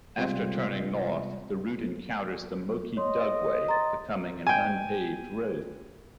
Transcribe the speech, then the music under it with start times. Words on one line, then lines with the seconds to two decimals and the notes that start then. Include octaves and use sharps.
After turning north, the route encounters the Moki Dugway, becoming an unpaved road.
0.18 C3 G3 G#3 C4 F4
2.97 C#5 D#5 C6
3.68 A#5 C6 A6
4.47 G5 G#5